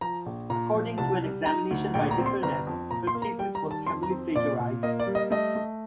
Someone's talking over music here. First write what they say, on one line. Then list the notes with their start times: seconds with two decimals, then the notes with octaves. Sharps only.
According to an examination by Dissernet, her thesis was heavily plagiarised.
0.01 F3 A#5
0.26 A#1
0.50 A#2 A#5
0.74 F3
0.98 C2 A5
1.23 G3
1.46 D#4 A#5
1.71 D2
1.94 A#1 G5
2.11 A#5
2.18 C4
2.26 C6
2.43 G1 A#5
2.67 F2
2.91 A#2 A#5
3.07 C6
3.15 A#3
3.22 A#5
3.38 G3 G5
3.55 A#5
3.63 D#3
3.71 A5
3.87 F2 C6
4.03 A#5
4.10 C4
4.35 A#2 D5
4.59 A#2
4.83 A#3 D#5
5.00 D5
5.07 G3
5.15 D#5
5.31 A3 D#5
5.55 A3